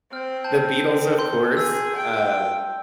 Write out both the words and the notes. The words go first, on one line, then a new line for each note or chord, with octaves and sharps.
The Beatles, of course, um,
C4 F6 G6
A5 G6
C6 G6
G#4 E6
G5